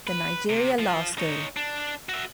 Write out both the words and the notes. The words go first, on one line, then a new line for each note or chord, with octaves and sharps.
The Nigeria Law School.
B4
C3
F3 F4
D#4 C#5
D4
F#4 E5